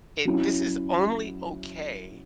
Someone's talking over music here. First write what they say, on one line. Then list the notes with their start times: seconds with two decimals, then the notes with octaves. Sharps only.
it this is only okay
0.25 F#3 C#4 E4